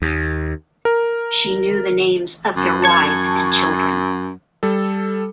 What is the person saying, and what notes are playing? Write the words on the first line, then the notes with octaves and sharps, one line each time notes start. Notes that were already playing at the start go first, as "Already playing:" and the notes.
She knew the names of their wives and children.
D#2
A#4
F#2
A5 C#6 G#6
G3 A4